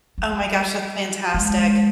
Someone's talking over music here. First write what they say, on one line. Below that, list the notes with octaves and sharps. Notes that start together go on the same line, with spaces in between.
Oh my gosh, that's fantastic.
G3
G#3